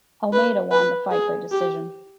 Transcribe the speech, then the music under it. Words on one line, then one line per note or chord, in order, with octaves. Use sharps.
Almeida won the fight by decision.
B4
B4
G#4
G4